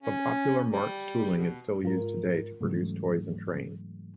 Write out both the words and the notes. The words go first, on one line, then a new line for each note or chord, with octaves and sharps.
Some popular Marx tooling is still used today to produce toys and trains.
C#4
G3
B2
G#2 F4 A#4
G#2 C#3 E3 F#3 A3